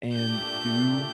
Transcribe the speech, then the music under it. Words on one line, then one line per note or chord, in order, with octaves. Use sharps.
and do
A#2 A3 D4 G4 G6